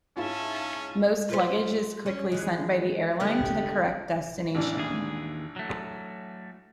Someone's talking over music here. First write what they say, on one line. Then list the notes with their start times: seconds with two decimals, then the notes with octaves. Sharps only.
Most lost luggage is quickly sent by the airline to the correct destination.
0.17 G#2 C#4 E4 F4 E5 F5 A5
1.30 F4 B4 C5
2.06 C#4
2.32 E3 G#3
3.20 D3 G3 B3
4.55 A1 E3 D4
4.77 D#2 G#4
5.56 F#3 A3